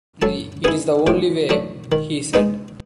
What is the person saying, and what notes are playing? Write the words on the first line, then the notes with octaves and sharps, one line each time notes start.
"It's the only way," he said.
F#3 A4 A5
B3 E4 G#4 G#5
A2 G4 G5
F#3 A3 D4
D#3
G#3 B3 D#4